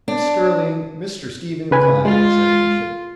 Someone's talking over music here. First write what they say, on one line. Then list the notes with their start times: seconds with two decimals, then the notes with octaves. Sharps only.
"Miss Sterling, Mr. Stephen Clyde," said the Bishop.
0.08 D4
1.71 C#3 B4 G#5
2.05 G#3 F4